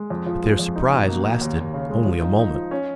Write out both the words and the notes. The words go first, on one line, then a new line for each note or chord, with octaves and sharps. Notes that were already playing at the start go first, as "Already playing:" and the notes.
But their surprise lasted only a moment.
Already playing: G#3
F2
F3
G#3
F2
D#4
B2
A#3
A#3
D#2
D#2
C#3
G#3
F3
D#4
D#4
F3
C#4